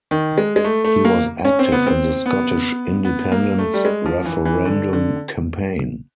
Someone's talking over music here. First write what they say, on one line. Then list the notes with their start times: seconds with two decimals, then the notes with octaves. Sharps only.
He was active in the Scottish independence referendum campaign.
0.11 D#3
0.38 G#3
0.56 G#3
0.64 A3
0.84 A3
1.05 A#3
1.45 C#4
1.59 C4
1.72 B3
1.86 C4
2.26 B3
3.05 B3
3.32 A#3
3.58 A3
3.74 G3
3.85 G#3
4.06 F3
4.25 E3
4.45 E3
4.66 D3
4.93 D3